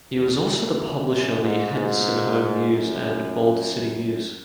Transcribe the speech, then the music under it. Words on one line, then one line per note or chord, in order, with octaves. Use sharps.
He was also the publisher of the "Henderson Home News" and "Boulder City News".
E2
F#2
F#2
F#2
G#2
G#2
F#2
F#2